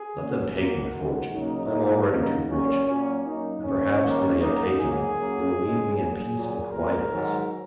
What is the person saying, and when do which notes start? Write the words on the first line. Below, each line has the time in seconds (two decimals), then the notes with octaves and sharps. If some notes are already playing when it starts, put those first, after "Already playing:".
Let them take my fortune, I am already too rich; and, perhaps, when they have taken it, they will leave me in peace and quietness.
Already playing: G#4
0.17 F#2 F#3 A#3
0.56 G#2 F#3 A#3 F#4
0.94 F#2 D#3 G#3
1.32 C#3 F#3 A#3 D#4
1.71 A#2 A#3
2.09 C#3 F#3 A#3
2.48 A#2 F#3 A#3 C#4
2.86 A#2 F#3 A#3 C#4
3.24 F#2 F#3 A#3 D#4
3.63 G#2 D#3 A#3 C#4
4.02 F#2 D#3 A#3
4.40 F#2 F#3 A#3 D#4
4.79 G#2 F#3 A#3 G#4
5.18 F#2 F#3 A#3
5.55 C#3 G#3
5.94 A#2 F#3 A#3 G#4
6.33 A#2 F#3 A#3
6.71 A#2 G#3 A#4
7.10 G#2 D#3 F#3